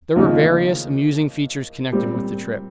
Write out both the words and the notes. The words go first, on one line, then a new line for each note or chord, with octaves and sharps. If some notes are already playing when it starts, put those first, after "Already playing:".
There were various amusing features connected with the trip.
D#2 C#3 F3 A#3 D#4
A#2 G3 C4